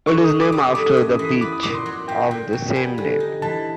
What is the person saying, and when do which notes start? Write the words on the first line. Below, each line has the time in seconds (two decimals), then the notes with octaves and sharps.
It is named after the beach of the same name.
0.07 D3 C#6
0.24 D#6
0.29 D3
0.41 D6
0.52 G3
0.57 D#6
0.74 A3 D6
0.91 D#6
0.97 F#2
1.19 E3
1.25 D#6
1.41 B3 D6
1.53 D#6
1.63 A#2 D6
1.75 C6
1.86 F#3
2.08 A#2 G5
2.31 A#2
2.53 F#3
2.76 G3 G#5
2.98 D3
3.20 D#4
3.42 E3 A5